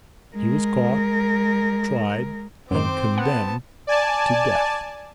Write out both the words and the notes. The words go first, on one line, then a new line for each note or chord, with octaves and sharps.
He was caught, tried, and condemned to death.
G#3 A#4
F#2 D#3 C4 C5 D6
B3 F#5 A5
D5 G#5 A5